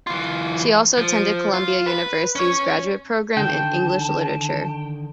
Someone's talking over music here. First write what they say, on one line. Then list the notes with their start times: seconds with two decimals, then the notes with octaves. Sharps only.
She also attended Columbia University's graduate program in English literature.
0.07 E3 F4
0.98 F3
1.54 F4
1.87 B4
2.35 C#4 C#5
3.37 D3 D#3 G5 A5